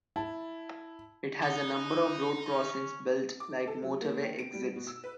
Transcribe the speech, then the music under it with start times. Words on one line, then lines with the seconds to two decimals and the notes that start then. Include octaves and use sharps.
It has a number of road crossings built like motorway exits.
0.16 E4 A5
1.42 B3 D#4
2.50 C#4
3.40 D6
3.67 A4
3.82 F#3
4.01 A#3
4.22 D#3
4.39 D7
4.53 G3
4.76 B2
4.87 E6
5.04 B4